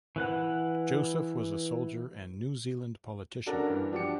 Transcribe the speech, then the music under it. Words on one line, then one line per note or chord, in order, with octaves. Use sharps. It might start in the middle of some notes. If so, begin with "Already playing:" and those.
Joseph was a soldier and New Zealand politician.
E3 B4 F#5
C#4 D4 F#4 A4 A#4
G2 E3
F3 D4 F#4 G4 D6 C#7